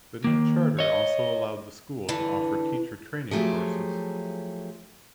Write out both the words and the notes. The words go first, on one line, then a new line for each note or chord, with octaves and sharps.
The new charter also allowed the school to offer teacher training courses.
D#3 A#3
C#5 D#5
D3 E3
F3 F#3 A3 G4 G#4